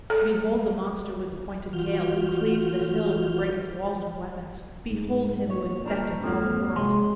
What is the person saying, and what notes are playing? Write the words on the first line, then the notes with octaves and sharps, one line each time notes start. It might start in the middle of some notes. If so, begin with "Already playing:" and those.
"Behold the monster with the pointed tail, Who cleaves the hills, and breaketh walls and weapons, Behold him who infecteth all the world."
A4
E3 F4 F#4 F6 G6
G#2
A#2 C#5
G3 D4 A#4
F2 G#2 F3 A#3
C3 G#3 G#5 C6